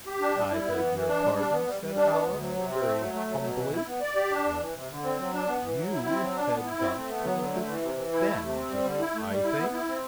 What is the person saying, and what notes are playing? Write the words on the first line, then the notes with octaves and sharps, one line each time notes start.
'I beg your pardon,' said Alice very humbly: 'you had got to the fifth bend, I think?'
G4
D4
G3
E4
B3
E3
E3
D4
G3
D4
B3
G3
G3
D4
B3
D2
F#3
C3
C4
A3
F#3
A3
F#3
B2
E3
E4
B3
D5
G4
D4
E2
E3
C3
D3
C4
F#3
D4
B3
E3
F#3
E4
C4
F#3
D4
B3
E4
C4
A3
B3
F#3
D3
A3
E3
C3
E3
E4
A3
C3
C4
G3
D3
E4
A3
G3
E4
B3
E4
C4